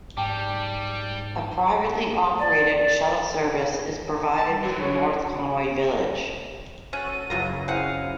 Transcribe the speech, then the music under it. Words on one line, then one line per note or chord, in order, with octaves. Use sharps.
A privately operated shuttle service is provided through North Conway village.
G#2 G3 G5 A5 D6
D5
A5
G3
E3 F#3 F#4 A#4
C#5
C#4 F#4 A4 D#7
F#2 C#3 E3 F#3 F4 A#5
G#3 C4 E4 F5 F#5